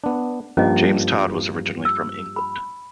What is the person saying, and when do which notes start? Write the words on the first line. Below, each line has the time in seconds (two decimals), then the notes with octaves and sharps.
James Todd was originally from England.
0.04 B3 D4
0.57 G2 F3 A#3 C#4 D#5
1.85 E6
2.36 B5